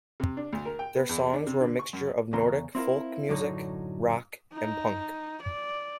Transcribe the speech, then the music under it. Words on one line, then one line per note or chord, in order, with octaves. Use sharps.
Their songs were a mixture of Nordic folk music, rock and punk.
C3
D4
D2
A#4
G5
B3
E2
D4
C3
D3
C#6
F#2
E2 C#3 C#4 A#4 C6
C4 E4 F4 A#4
F#2 A2 D3 F#3 D#4
D#4
D5